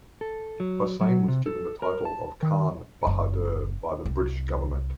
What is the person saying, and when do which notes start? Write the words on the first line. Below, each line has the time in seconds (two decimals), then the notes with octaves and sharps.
Hossain was given the title of Khan Bahadur by the British Government.
0.21 A4
0.60 F#3
1.01 F#3
1.28 C3
1.46 A4
1.82 A#4
2.05 A5
2.43 D#3
3.07 F#1
4.06 C2